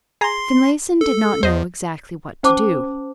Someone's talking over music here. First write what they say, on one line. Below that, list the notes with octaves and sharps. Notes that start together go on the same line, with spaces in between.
Finlayson did not know exactly what to do.
G#4 G#5 A#5 C6 C7
A4
E2 C5 D#5
C#4 C5 A5 D6